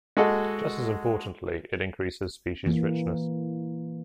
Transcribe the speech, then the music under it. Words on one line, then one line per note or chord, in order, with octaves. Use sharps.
Just as importantly, it increases species richness.
G#3 F#4 G#4 A4 D#5
E3 A#3